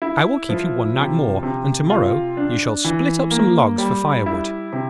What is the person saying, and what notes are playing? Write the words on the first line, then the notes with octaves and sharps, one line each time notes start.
I will keep you one night more, and to-morrow you shall split up some logs for firewood.'
E4
F3
C3
C3
F4
D4
E3
A#3
G3
E4
C3